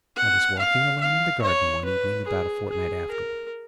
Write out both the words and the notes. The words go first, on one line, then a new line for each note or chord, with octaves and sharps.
I was walking alone in the garden, one evening, about a fortnight afterwards.
F#5
F5
F5
C#5
B4
G#4
G#4
A#4